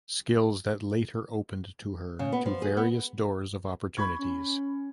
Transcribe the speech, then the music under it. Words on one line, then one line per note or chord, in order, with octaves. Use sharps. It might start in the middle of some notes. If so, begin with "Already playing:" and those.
Skills that later opened to her to various doors of opportunities.
C#3
B3
F3
G#4
B3
B5 C#6 G#6
C#4